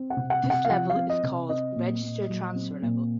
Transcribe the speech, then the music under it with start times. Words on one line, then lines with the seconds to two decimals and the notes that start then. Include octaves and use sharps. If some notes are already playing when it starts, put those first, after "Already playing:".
This level is called "register-transfer level".
Already playing: C4
0.10 F#5
0.17 C3
0.30 F#5
0.43 C3
0.50 F#5
0.65 F5
0.70 F3 F#5
0.90 F5
0.96 C4
1.10 D#5
1.23 C3
1.49 C4 D#5
1.76 A#2
2.03 A#2
2.29 F#3
2.55 C4
2.82 A#2